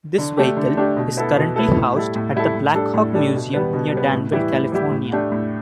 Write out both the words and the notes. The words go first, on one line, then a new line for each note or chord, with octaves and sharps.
This vehicle is currently housed at the Blackhawk Museum near Danville, California.
D3
A3 D4 G4
D3
A3 D4 G4
B2
B3 E4 A4
B2
B3 E4 A4
A2
G3 E4 A4
A2
G3 E4 A4
A2
G3 D4 A4
A2
G3 D4 A4
B2
G3 B3
B2
G3 B3
A2
E3 G3 E4 G4
A2
E3 G3 E4 G4
A2
A3 D4 G4
A2